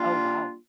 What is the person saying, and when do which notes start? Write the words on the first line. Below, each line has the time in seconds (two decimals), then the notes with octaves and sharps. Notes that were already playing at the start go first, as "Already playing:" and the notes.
Oh, wow.
Already playing: G3 A#3 D4 F4